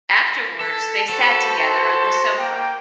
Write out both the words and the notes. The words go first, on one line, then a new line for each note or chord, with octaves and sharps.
Afterwards they sat together on the sofa.
A4
F#4 A4 B4 C5
A#3 G5